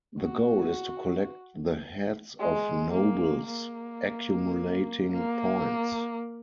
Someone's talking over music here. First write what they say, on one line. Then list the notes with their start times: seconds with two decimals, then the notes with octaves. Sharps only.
The goal is to collect the heads of Nobles, accumulating points.
0.19 F#4
2.39 G#3
2.93 A#3
3.47 A#3
5.12 A#3